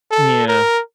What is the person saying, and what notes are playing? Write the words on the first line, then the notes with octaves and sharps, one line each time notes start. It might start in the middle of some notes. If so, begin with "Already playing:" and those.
Mm, yeah.
A4
A#4